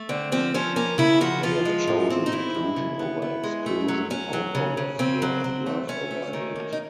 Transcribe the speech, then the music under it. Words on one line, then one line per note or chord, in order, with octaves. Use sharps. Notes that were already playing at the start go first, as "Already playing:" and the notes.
They have chosen inclusion over exclusion, hope over fear and love over hate.
Already playing: A3
D3 C4
F3 C4
F3 C#4
A#3 C#4
C#3 E4
F3 F#4
F3 F4
G#3
A2
C4
D#4
A2 E4
G#3
C#3
B3
B3
G#3
A3
F#3
F#3 C#4
F#3
C#3
C#3
C#3 C4
F#3
F#3
A3
A3 C#4
A3
D#3
A#3
D#4